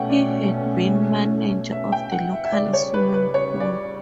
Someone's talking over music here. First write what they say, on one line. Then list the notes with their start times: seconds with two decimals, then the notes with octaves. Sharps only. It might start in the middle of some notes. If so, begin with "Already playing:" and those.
He had been manager of the local swimming pool.
Already playing: B2 A3 C#4 F#5 G5
0.09 D5
1.72 E5
1.92 G5
2.12 F#5
2.32 E5
2.45 E5
2.52 C#3 G3 C#4 D5
2.73 C#5
2.94 B4
3.14 B4
3.34 C#5
3.60 D5